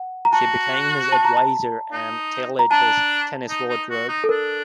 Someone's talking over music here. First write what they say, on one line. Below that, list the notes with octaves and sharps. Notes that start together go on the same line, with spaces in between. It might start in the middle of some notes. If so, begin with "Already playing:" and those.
She became his adviser and tailored his tennis wardrobe.
Already playing: F#5
A#5
F#4 A5
A5
A#5
A5
D#4
A#5
D4 A5
D#4
D#4
F#4
D#4
A4
D4 A#4